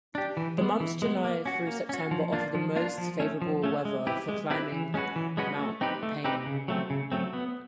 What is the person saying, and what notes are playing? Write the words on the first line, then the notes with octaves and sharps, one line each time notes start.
The months July through September offer the most favorable weather for climbing Mount Payne.
D4 G4
E3
G#3 B3
E3
G#3 B3
A#3
C#4 F#4
A#3
C#4 F#4
F3
A#3 D4 F4
F3
A#3 D4 F4
F3
A3 C#4
F3
A3 C#4
G#3
C4 E4 G4 B4
G#3
C4 E4 G4 B4
E3
G#3 C#4 F#4 B4
E3
G#3 C#4 F#4 B4
A3
C4 D#4 G4 B4
A3
C4 D#4 G4 B4
C#3
F#3 A3 C4
C#3
F#3 A3 C4
B3